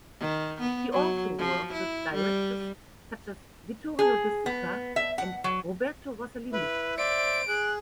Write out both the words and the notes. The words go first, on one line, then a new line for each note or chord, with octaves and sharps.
He also worked with directors such as Vittorio De Sica and Roberto Rossellini.
D#3
B3
F#3
F3
E4
G3
G#4
B3
E5
F#5
F#3
E4 B4
C5 D5 E5 D7
G#4 F#6